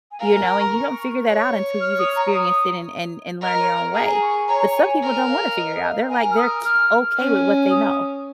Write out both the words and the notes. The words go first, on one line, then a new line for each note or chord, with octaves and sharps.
you know? And you don't figure that out until you've experienced it and and and learn your own way. But some people don't wanna figure it out. They're, like, they're k okay with what they know,
G#5
A#4 F5
G#5
A#5
C#6
C#5
F6
D#6
A#5
D#6
A#4 D#5
C#5
G#4 A#5
C#6
C#5 A#5
G#5
A#4 G#5
F5
D#5
D#5
F5
A#4 G#5
F6
D#6
F6
C#4
D#6